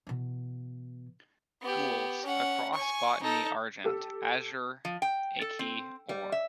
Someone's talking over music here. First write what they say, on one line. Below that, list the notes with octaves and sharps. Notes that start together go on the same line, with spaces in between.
Gules, a Cross bottony Argent; Azure, a Key Or.
B2 E3
B3 G4
C#4 F#5
G#5 C#6
D#4 A4
G4 A4 E6
F3
G5
A4
C4
G3
E5